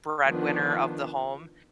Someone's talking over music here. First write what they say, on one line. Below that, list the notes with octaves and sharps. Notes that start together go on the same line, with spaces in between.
breadwinner of the home,
D#3 F3 B3 D4 F4